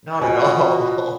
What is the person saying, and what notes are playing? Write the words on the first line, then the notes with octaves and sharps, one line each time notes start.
not at all.
B2 F3 F#4 G#5